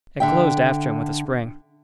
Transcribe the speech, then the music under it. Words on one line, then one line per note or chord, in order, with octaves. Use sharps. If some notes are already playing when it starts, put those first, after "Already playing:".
It closed after him with a spring.
D3 E5 G5